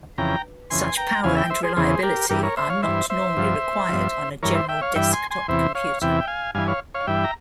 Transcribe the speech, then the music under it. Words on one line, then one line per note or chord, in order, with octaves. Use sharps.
Such power and reliability are not normally required on a general desktop computer.
F2 C#3 E3 G5 A#5
F2 C#3 E3 G#5 C6
G5 A#5
E2 C#3 E3 F5 G#5
E5 G5
C5 E5
G#4 C5
E2 C#3 E3 G#4 C5
G4 A#4
G2 E3 G4 A#4
A#4 C#5
C5 E5
C#5 F5
G2 E3 C5 E5
C5 E5
G2 F3
G2 F3
G2 E3 A#4 C#5
C5 E5
E5 G5
C#5 F5
G2 E3 E5 G5
G#5 C6
G#5 C6
E2 C3 E3 C5 E5
C#5 F5
E2 C3 E3 E5 G5
G5
F5 G#5
G2 E3 F5 G#5
C#5 F5
C#5 F5
G2 E3 E5 G5
A#5